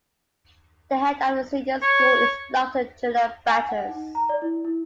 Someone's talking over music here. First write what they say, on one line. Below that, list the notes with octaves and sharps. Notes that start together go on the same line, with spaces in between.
The Head of the Senior School is Doctor Julia Batters.
C#5
G#5
F#5
D#4
A#5
D5
E4
E4